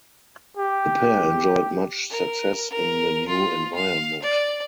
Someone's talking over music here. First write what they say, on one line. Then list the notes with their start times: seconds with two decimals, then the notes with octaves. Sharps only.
The pair enjoyed much success in the new environment.
0.57 G4
2.10 A#4
2.70 A#4
3.28 F4
3.76 F5
4.22 D5